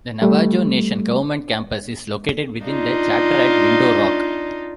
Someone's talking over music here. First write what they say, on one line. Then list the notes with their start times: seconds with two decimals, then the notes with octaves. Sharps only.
The Navajo Nation Government Campus is located within the chapter at Window Rock.
0.22 G3 A3
2.65 D4 D#4 F4